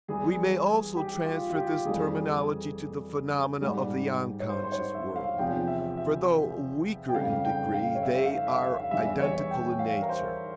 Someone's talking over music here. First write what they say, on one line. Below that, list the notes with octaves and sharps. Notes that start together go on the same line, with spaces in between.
We may also transfer this terminology to the phenomena of the unconscious world, for though weaker in degree, they are identical in nature.
E2 E3 G3 G#4
G4
F4
F4
G4
F2 E3 G3 G#4
G#2 G3
C#5
C5
C5
C#5
E5
F5
E2 C3 F3 G5
E5
E5
G5
F2 C#3 G3 F5
G5
F5
C#5
E5
E5
F5
E5
E5
F5
F5
E2 E3 G3 E5
C#5
G5
F5
A#4
C5